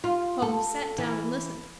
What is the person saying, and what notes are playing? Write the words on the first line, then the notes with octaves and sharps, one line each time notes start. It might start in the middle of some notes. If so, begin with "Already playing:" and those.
Holmes sat down and listened.
F4
A4
E3